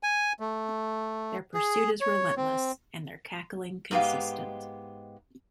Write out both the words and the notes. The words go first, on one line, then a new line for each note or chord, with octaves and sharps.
Their pursuit is relentless and their cackling consistent.
G#5
A3
G#4
C#5
C4
G#2 G#3 B3 G4 F5